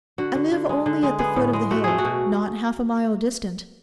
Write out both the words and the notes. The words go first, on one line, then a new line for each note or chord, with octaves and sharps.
I live only at the foot of the hill, not half a mile distant.
D3 F#4
D3
D3
G#3
D3
G#3
B3 G#4
A2
G#3
A3 F#4
A3 G#4
F#4
B2